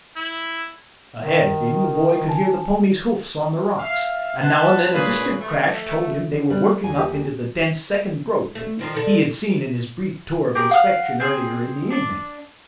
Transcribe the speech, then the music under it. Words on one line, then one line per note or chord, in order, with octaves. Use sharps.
Ahead of him, the boy could hear the ponies' hoofs on the rocks, and now and then a distant crash told him they were working up into the dense second growth that he had seen in his brief tour of inspection earlier in the evening.
E4
D#3
G#5 A5
E5 F5
B4 C5 F#5 A5
A#2 C#3 A#3 D4 G#4 B4
A3
G3 B4
D#2 G#5
G4
A3
D#3 F3 D#4
D3 D#4 A4
G4 G#4 A#4
F5 F#5 D#6 F6
C4 G#4
D4 A5